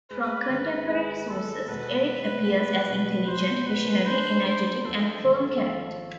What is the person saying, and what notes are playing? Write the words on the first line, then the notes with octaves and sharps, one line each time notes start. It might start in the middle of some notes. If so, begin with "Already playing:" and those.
From contemporary sources, Eric appears as intelligent, visionary, energetic and a firm character.
G#3 B4
G#1
G#3 B4
G#3 A4
B2 B4
B3
B3
B2
B3 C5
B3 B4
D4 C5
D4 C5
F3 A4
G#1
F3